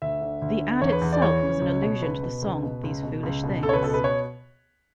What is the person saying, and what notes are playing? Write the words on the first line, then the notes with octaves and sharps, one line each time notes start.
The ad itself was an allusion to the song, "These Foolish Things".
D2 E5
D3
D2
D3
E2 C#5
B4
E2
D5
E3 C#5
C#3
C#2
B2
C#2 B4
B2
C#2
B2
C#2
B2
C#2
B2
C#2 A4
C#5
B4
B2 A4
B4
C#5